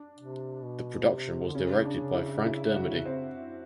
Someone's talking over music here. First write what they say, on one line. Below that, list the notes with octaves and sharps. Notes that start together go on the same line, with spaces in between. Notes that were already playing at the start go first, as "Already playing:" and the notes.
The production was directed by Frank Dermody.
Already playing: D4
C3
B2
C3
D3
C#3 C#4
D4
E4
E4
F#4
C4